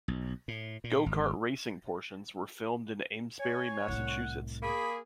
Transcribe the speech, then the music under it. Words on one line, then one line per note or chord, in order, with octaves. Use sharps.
The go-kart racing portions were filmed in Amesbury, Massachusetts.
B1
A2
A#2
G#1
C#5 G#5
C2 A2 F#5
A#3 G#4 B5